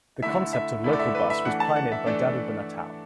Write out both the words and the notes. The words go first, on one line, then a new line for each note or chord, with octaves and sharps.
The concept of Local Bus was pioneered by Dado Banatao.
D3 A3 E4 E5
E5
D3 A3 E4
D5
E5
B4
E5
E3 A3 D4 F#5
A5
F#5
E5
E3 A3 D4 D5